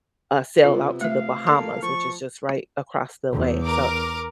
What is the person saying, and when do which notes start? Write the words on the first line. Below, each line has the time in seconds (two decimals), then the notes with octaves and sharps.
uh, sail out to the Bahamas, which is just right across the way, so
0.64 C3 B3 F4
1.01 A3 E5 F5
1.47 A#3 A4 A5
1.82 F3 C#6
3.32 E2
3.62 A#4 D6